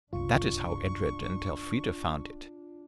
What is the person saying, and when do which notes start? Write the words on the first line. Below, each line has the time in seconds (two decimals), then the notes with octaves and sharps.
That is how Edred and Elfrida found it.
0.13 F#1 C2 D4 F4 C#6